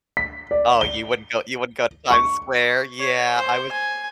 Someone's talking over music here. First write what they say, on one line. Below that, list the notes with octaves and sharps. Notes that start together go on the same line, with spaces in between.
Oh, you wouldn't go you wouldn't go to Times Square? Yeah, I was
B6
D5
G7
C#6
C#5
C5
G#5